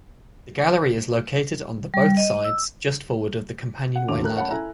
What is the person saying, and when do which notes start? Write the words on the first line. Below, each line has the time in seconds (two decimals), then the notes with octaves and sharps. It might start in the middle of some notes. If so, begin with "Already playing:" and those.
The galley is located on the both sides just forward of the companionway ladder.
1.94 G3
2.17 D#5
2.44 E6
3.95 F#5
4.08 E1 D#2 D3 F#4 D6 F7
4.23 A3 A#4 F#6
4.37 C#5 F#5 A5 B5
4.50 E4 A4 G#5 A#5